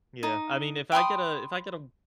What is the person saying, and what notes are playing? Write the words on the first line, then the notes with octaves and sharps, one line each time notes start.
Yeah. I mean, if I get a if I get, uh,
D#4
G5 B5 C6 D#6